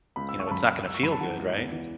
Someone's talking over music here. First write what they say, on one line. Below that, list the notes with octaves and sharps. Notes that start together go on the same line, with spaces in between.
you know, it's not gonna feel good, right?
C#2 B5
E6
C#2
C#6
A5
F#2 B5
F#2
F#2 E6
C#6
F#2 B5
A5
E3 F#5
C#2
E2
E3